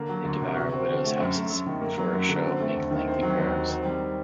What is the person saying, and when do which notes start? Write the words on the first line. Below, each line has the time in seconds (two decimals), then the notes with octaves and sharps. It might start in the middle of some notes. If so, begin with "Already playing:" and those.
They devour widows' houses and for a show make lengthy prayers.
Already playing: D3 A#3
0.09 F#3
0.25 D2
0.41 C3
0.56 F#4
0.72 C4
0.88 D3
1.04 A3
1.20 F#2
1.35 A3
1.50 F#2
1.66 D#3
1.81 A#3
1.98 F#3
2.13 F#2
2.29 D3
2.44 C4
2.60 A3
2.76 D#2
2.91 D#3
3.08 C4
3.22 F#3
3.38 D#2
3.54 D#3
3.69 C4
3.85 G3